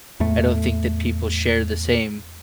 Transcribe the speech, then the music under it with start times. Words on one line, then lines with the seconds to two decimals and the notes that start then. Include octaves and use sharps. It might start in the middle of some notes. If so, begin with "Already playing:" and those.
I don't think that people share the same
0.20 E2 A2 A3